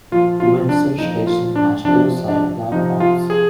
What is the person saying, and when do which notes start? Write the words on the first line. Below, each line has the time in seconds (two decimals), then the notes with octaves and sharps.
Windsor Station has two side platforms.
0.11 A#2 F3 F4
0.40 F4
0.69 D4
0.98 A#2 D#4
1.02 F3
1.27 F4
1.56 D4
1.85 C3 F3 D4
2.28 D4
2.72 C3 F3 D#4
3.00 F4
3.30 G#4